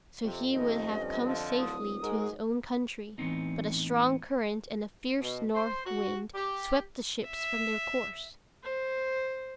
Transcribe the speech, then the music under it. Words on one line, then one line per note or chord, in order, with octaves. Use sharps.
So he would have come safely to his own country, but a strong current and a fierce north wind swept the ships from their course.
F2 C3
D#2 C3 A3 D#5
G2 A#2 F3 C#4
D3 F3
D1 D#6
G#2 F#4 G#4 A#4
A2 E3 G#3 B3 C4 D#4
B2
C5
F#4
G4
E5
C5